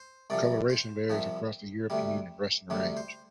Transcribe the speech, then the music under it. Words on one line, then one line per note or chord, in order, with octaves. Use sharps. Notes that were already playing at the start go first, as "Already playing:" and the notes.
Colouration varies across their European and Russian range.
Already playing: C5
C2 C3 F3 D5
C5
C2 C3 F3
D2 C3 G3
D2 C3 G3
C5